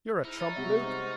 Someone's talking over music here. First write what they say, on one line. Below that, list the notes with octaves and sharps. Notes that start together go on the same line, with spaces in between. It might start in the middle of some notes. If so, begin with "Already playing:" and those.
'You're a trump, Luke!
G#2 D#4 E4 F6 F#6
C#5 A#5 A6
C3 G3 G#3 F#4 E5 C#6
G#2 C6 F6 A6
F6 C#7